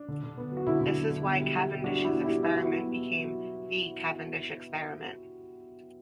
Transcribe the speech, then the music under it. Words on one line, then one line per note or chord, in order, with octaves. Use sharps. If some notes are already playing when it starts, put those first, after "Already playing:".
This is why Cavendish's experiment became "the" Cavendish experiment.
Already playing: D4
D3
D3
B3
F#3
F#4
D3 E4
D3
F#3
D3
B2
G3
G3
B2
G3 D4 F#4
G3
E4 G4
B2
E4 G4
G3
B3 E4
B3 F#4
E4
F#3
B2
F#3
F#3